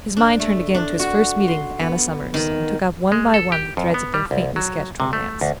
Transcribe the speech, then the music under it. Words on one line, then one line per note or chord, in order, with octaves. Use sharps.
His mind turned again to his first meeting with Anna Summers and took up one by one the threads of their faintly sketched romance.
D4
A3
D4
F#4
C6
B3
D#3
G#3
A4
G4
F2
B3
G3
C2
F#3
C3
A3
D2